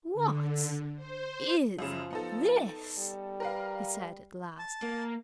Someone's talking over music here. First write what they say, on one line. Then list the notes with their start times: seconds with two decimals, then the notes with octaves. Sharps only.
'What--is--this?' he said at last.
0.14 D3
0.96 C5
1.79 F#2 C#3 F3
2.11 B3 D#4 A4
2.98 G3
3.40 A#4 B4 F5
4.58 A5
4.83 A#3